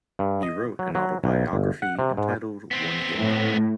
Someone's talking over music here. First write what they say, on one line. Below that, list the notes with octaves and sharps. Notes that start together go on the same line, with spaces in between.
He wrote an autobiography, entitled "One Hit Wonder".
G2
D#5
F#3
F#3
B1
G1
F#5
C3
G#2
B3 C4
A2